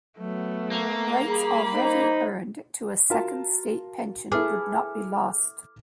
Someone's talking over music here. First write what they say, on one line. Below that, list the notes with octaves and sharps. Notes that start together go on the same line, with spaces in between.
Rights already earned to a Second State Pension would not be lost.
F#3 A3 B3
A#3
G3 G#4 B5
D#4 C5
F4 F#4 A#4 A5
E4 G#4 A4 B4 D6 F6